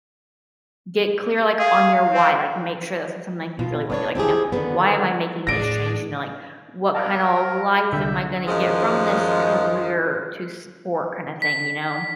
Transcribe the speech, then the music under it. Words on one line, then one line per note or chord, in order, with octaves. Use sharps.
get clear, like, on your why. Like, make sure this is something, like, you really wanna be, like, you know, "Why am I making this change?" You know? Like, "What kinda life am I gonna get from this career to support kinda thing?" You know?
G#4 F5
C4
B2 F4
B3 D4 C#5
C4 E4 G4 G#4
D3 D#3 F3 B3
A2 D4 G#4 D5 A#6 D7
A#4 D5 F5 A5
C2 D3 E5 G6
F#2 D#3 F3 G#3
B6